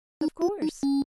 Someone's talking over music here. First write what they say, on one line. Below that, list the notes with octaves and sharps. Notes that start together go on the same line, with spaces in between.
"Of course."
D#4
F4
D#4
C#4